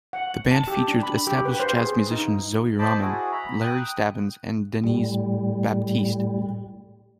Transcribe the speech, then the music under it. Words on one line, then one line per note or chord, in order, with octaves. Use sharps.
The band features established jazz musicians Zoe Rahman, Larry Stabbins and Denys Baptiste.
F#5
A5
G4
D4
B5
G4
B4
C5
G#4
D#4
C5 D#5 A5 B5 D6
E4 F#4 G#4
A#5 B5
G5 D#6 F#6
A2 G3